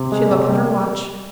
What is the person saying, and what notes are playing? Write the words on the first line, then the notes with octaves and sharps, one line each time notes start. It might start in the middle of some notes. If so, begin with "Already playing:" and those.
She looked at her watch.
Already playing: C3
G#3
C3
G3